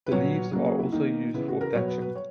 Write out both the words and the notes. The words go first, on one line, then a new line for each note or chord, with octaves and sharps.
The leaves are also used for thatching.
B4
A#2 F#3 B3 C#5
C#3 F#3 A#3
G#4
E4
D#3 A#3 D#4
C#3 E3 B3 E4
F#4
A#4
B2 F#3 B3 C#5
B4
B4
C#5